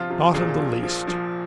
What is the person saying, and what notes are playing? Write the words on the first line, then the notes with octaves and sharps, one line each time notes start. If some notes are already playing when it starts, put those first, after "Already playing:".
"Not in the least."
Already playing: G1 C3 F3 F4
C3 F4
A#2 G#4
A#1
F3
F3